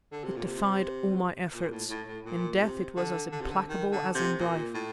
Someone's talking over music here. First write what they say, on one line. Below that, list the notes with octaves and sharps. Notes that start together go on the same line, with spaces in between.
It defied all my efforts; in death it was as implacable as in life.
D3
C3
A#2
C3
A#2
A2
A2
A2
A#2
C3
D3
D3
C3
D3
D#3
D3
C3
A#2
A2